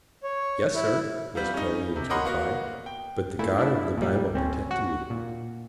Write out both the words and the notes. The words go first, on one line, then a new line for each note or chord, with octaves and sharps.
"Yes, sir," was Toline's reply; "but the God of the Bible protected me."
C#5
E4
G3 B3 C4 F4
C#4 D#4
C3
A#4 C#5 D#5 F#5 B5 C6
A#3 B3 F#4
G5
A#2 A3 E4
D4 E4
A#2 G3
D2 C4 C#4
F#4
A#2